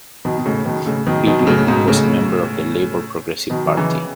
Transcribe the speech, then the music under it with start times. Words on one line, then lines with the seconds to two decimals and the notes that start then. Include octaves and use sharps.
Pilgrim was a member of the Labour Progressive Party.
0.25 B2 D#3
0.38 B2
0.46 A2 C#3
0.65 B2 D#3
0.86 A2 C#3
1.07 B2 D#3
1.27 B2 D#3
1.39 B2
1.47 A2 C#3
1.67 G#2 B2
1.88 A2 C#3
3.50 B2 D#3
3.66 D#3
3.77 C#3 E3